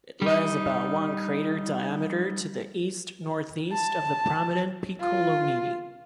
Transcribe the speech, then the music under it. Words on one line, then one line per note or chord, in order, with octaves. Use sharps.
It lies about one crater diameter to the east-northeast of the prominent Piccolomini.
G3 D#4
A5
F4